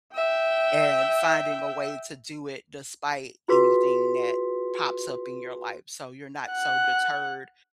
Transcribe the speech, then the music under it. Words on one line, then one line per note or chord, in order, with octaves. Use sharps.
and finding a way to do it despite anything that pops up in your life, so you're not so deterred
E5 G5
F4 F#4 G#4 B4 C6 B6
F#5 F#6